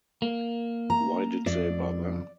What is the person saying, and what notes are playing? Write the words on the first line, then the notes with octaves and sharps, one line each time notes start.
Why did they bother?
A#3
A#5
F2 D5